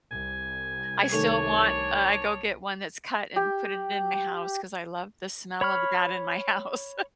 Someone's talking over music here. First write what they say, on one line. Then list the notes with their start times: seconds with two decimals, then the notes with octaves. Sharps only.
I still want, uh, I go get one that's cut and put it in my house 'cause I love the smell of that in my house.
0.11 C2 G#5
1.12 D#3 A3 D4 C#5
3.36 G4
5.61 C#5 B5 C#6 F6